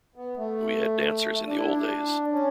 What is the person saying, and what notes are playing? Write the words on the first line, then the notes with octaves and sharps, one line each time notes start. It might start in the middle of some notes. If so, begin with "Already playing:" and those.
We had dancers in the old days.
B3
A3
D4
E4
D4
C#4